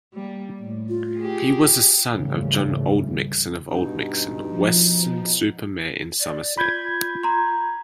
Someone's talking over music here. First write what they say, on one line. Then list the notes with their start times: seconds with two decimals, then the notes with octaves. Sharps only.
He was a son of John Oldmixon of Oldmixon, Weston-super-Mare in Somerset.
0.14 G3 A#3
0.59 A2
0.89 F4
1.19 G4 G#4
2.13 D#2 G#2 C#3 E3 G3 A3
3.70 G2 B2 D#4
4.48 F3
6.20 D5
6.57 F4 B5 G6 G#6
7.23 A#5 C6